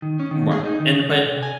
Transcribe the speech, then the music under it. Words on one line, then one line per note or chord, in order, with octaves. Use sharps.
M right. And but,
D#3
C#4
D#3
G#4
D#4
D#3
C#3
F#5
C3
G#5